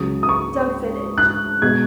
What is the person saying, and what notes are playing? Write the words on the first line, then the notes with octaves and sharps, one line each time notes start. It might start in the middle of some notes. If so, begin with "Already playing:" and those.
Duck Village.
Already playing: C#2 C#3 F#3 D#6
D#6
C#6
F#6
B2 G#3 G#6